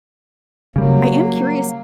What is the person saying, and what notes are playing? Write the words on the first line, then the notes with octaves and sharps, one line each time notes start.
I am curious
C#3 F#3 G3 A#3